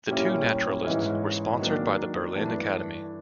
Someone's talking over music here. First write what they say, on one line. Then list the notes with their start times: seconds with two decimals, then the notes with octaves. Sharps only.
The two naturalists were sponsored by the Berlin Academy.
0.07 A#2 G3 A#3 C#4 E4
0.82 G#2 E3 G#3 C#4 E4
1.58 D#3 F#3 A#3 D4
2.34 G2 E3 A3 D4